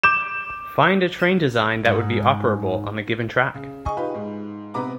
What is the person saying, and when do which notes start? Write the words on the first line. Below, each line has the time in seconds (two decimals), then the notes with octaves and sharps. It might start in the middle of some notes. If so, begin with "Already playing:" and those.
Find a train design that would be operable on the given track.
0.03 D6 G6 E7
1.85 G#2
3.54 C#3
3.85 G#4 D#5 G#5 C#6
3.97 D#4 F4 G4 B4
4.14 G#2
4.74 C3 B3 B4 A#5 D6